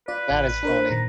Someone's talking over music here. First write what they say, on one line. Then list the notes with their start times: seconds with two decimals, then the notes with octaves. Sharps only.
That is funny.
0.08 F4 B4 D5
0.31 A1
0.63 D4 A#4 C5
0.90 A#2 D#3 A#5